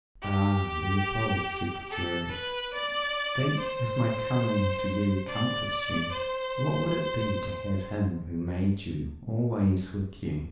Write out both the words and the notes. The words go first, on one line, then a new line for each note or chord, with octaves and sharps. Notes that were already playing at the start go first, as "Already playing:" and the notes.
"Ah, Leopold!" said the curate, "think, if my coming to you comforts you, what would it be to have him who made you always with you!"
G4
A4
B4
D5
C5
D5
C5